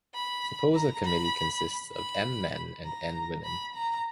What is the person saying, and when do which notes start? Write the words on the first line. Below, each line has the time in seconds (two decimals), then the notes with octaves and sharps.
Suppose a committee consists of "m" men and "n" women.
0.14 B5
0.74 A#5
1.04 B5
1.94 B5
2.84 A#5
3.44 B5
3.74 A#5